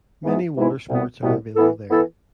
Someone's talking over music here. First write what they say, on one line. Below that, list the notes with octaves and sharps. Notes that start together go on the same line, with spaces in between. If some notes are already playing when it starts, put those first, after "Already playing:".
Many water sports are available there.
G#2 E3 G#3 B3 E4
G#2 E3 G#3 B3 E4
C2 B2 B3
C2 B2 B3
E3 B3 E4 A4
E3 B3 E4 A4